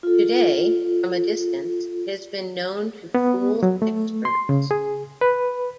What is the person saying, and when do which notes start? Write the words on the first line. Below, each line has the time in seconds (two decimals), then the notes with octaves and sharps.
Today, from a distance, it has been "known to fool experts".
0.03 F4 A4
3.15 B3
3.63 F#3
3.82 A3
4.25 C6
4.49 C#3
4.71 G#4
5.21 B4